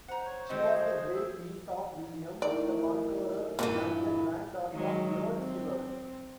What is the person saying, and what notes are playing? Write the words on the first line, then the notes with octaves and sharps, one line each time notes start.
She was the great-niece of William the Conqueror and the granddaughter of Earl Siward.
C5 F#5 A#5
C#5
D#3 C4 F#4 D#5
G#4
E5
A2 D#3 D5 C#6
G2 A#2 E3 A#3
D#3 F#3 G#3
C4